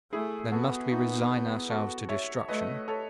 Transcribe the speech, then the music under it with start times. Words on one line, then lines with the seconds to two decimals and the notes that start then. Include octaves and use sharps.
"Then must we resign ourselves to destruction?"
0.12 A3 E4 G#4
0.52 B3 F#4 A4
0.91 D#4 F#4
1.70 F#4 A4
2.09 C#5 E5
2.49 A3 B4 D#5
2.88 A4 C#5